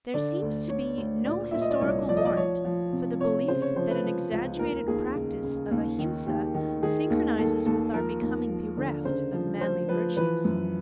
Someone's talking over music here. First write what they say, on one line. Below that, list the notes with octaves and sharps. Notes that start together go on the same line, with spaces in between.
There seems to be no historical warrant for the belief that an exaggerated practice of Ahimsa synchronises with our becoming bereft of manly virtues.
D3 D5
D2
D3 C#5
D2
A#2 D5
A#2 E5
D#5
D5
C2 C#5
F3 D5
D#5
D5
F3 C#5
F3
C3
C3 C#5
C#3 C5
C#5
F3 C5
B4
F3
C#2
D#2 A#4
D#2 G#4
C#3
C#3
D#2
D#3
D#2 G4
D#3
D#3 G#4
D#2
D#2 A4
D#2 A4
F3 A#4
D#2
F3
D3
C#3 C5
F3
F3 C5
F3 B4
E3 B4
F#2